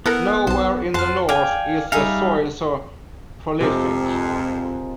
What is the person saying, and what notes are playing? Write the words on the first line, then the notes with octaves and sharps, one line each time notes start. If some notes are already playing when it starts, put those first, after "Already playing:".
Nowhere in the North is the soil so prolific.
B3 E4 A4 A#4 F#5
B1 C5 A5
F2 C5 F#5 A5 F6
D5 F5 G5 G#5
G3 D#4 G#4 E5 F5
F2 C3 F3 G#3 A#4